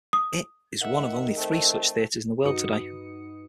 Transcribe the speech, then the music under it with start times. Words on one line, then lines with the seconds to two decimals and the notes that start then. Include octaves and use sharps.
It is one of only three such theaters in the world today.
0.13 D#6
0.81 D#3 E5 F#5
1.36 A3 C4
2.45 G2 D#4 F#4 B4 D#6 C#7